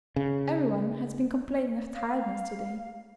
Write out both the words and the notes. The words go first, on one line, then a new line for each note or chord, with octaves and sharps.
Every one has been complaining of tiredness to-day.'
C#3
F5